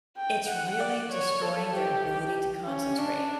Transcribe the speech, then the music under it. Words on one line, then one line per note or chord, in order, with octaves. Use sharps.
it's really destroying their ability to concentrate.
G5
F#5
D5
C#5
A4
G4
G4
C#4
D4